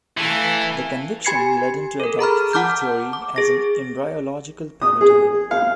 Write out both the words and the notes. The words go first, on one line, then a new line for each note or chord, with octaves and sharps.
This conviction led him to adopt field theory as an embryological paradigm.
E3 A3 F5
G4 G#5 B5 G#6 C7 C#7
A4 A#4
G#4 A#5 B5 F6
F#5 A5 D6 F6 G6
D6
G#4 A#6
D#6
G#4
F5